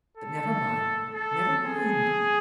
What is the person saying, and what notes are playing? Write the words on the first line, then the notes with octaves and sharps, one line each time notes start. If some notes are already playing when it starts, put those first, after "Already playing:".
But never mind, never mind!
A4
A4
G#4